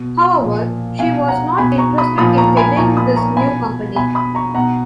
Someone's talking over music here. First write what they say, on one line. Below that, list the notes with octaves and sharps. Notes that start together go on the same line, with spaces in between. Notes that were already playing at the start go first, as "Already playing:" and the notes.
However, she was not interested in heading this new company.
Already playing: B2
A#2 F3
B2 F5 G#5
F#5 A#5
B2 G#5 B5
A#5 C#6
B5 D#6
A#2 F3 B5 D#6
A#5 C#6
G#5 B5
A#2 F3 A#5 C#6
B5 D#6
A#5 C#6
B2 G#5 B5
B2 G#5 B5
B5 D#6
A#5 C#6
B2 F#5 A#5